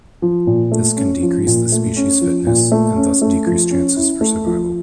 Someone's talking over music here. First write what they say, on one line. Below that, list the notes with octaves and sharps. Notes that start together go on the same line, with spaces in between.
This can decrease the species fitness and thus decrease chances for survival.
F3
A#2
A3
C#4
F3
A#2
A3
C#4
F3
A#2
A3
C#4
A3
F3
C#4
E4
A3
F3